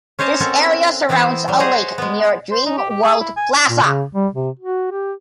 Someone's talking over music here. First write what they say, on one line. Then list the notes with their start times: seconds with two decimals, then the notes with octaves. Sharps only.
This area surrounds a lake near Dream World Plaza.
0.19 C#4 C5 C#5 D#5 A5
0.40 C4 C#4 F#4 A4 A#4
1.09 E3 B3 C4 E4 C5
1.48 F#3 G3
1.60 G#4 C5 C#5 D#5 F#5
1.98 G#3 B3
2.52 C5
2.66 D#4
2.78 G4
2.90 G4
3.03 G#4
3.20 E4
3.37 G#5
3.68 A#2
3.83 C#3
4.15 G3
4.35 C3
4.60 F#4
4.91 G4